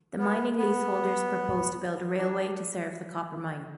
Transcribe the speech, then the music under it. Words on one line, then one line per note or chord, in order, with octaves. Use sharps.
The mining lease holders propose to build a railway to serve the copper mine.
B3
B3
D4